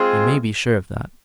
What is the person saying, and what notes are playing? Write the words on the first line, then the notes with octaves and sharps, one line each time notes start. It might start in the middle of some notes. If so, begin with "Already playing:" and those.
You may be sure of that.
Already playing: G#3 C4 F4 G#4